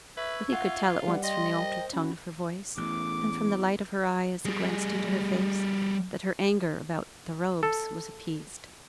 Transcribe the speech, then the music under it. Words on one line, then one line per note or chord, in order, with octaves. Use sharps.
But he could tell at once from the altered tone of her voice, and from the light of her eye as he glanced into her face, that her anger about "The Robes" was appeased.
B4 E5 C#6 E6 G#6
F4 F#5
G3 B4 F#5
D#5 F5 G5 C6
A#4 C5 G5
C#4 F#4 B5
A1 E2 A2 D6
G3 G#4
A4